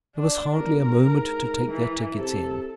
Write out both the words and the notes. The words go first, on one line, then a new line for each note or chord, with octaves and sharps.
There was hardly a moment to take their tickets in.
D4
G1 A#4
G#2
E3
C3 A4